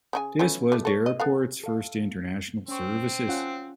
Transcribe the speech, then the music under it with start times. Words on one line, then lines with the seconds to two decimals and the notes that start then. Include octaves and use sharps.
This was the airport's first international services.
0.13 C#3 D#4 G#5
0.39 A3 B3 C#4
0.72 G3 A3
0.85 A4 C#5
1.06 D#5
1.20 B3 A4 F5
1.64 A4 F5
2.68 C4 C#4 C#6
3.28 C#4 F4 F#5